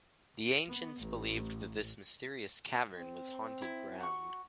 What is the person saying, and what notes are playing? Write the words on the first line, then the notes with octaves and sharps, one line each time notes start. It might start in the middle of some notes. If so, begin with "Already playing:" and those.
The ancients believed that this mysterious cavern was haunted ground.
B3
A1
C4
E4
F#4 C#6